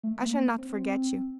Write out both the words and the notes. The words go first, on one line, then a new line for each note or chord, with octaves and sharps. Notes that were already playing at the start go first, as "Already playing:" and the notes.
I shall not forget you.
A3
A#3
C4